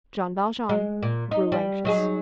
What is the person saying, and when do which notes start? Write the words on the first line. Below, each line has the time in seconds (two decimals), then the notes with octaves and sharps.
Jean Valjean grew anxious.
0.69 G#3
1.02 A#2
1.31 D#4
1.52 G3
1.85 F#3 D#4 G#4